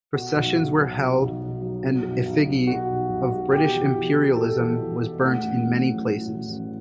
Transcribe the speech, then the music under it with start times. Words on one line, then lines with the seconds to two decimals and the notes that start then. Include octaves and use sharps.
Processions were held and effigy of British imperialism was burnt in many places.
0.14 B2 F#4
0.35 B1
0.57 B1
0.78 F#3
0.99 B2
1.21 B1
1.42 B1
1.62 F#3
1.84 B2
2.04 B1
2.26 B1
2.47 G3
2.67 B2 F#4
2.89 B1
3.09 B1
3.32 G3
3.52 B2 G4
3.73 E2
3.94 E2
4.15 G3
4.36 B2 A4
4.58 E2
4.79 E2
4.99 G3
5.21 A2 F#5
5.42 A1
5.63 A1
5.84 F#3
6.06 A2
6.27 A1
6.48 A1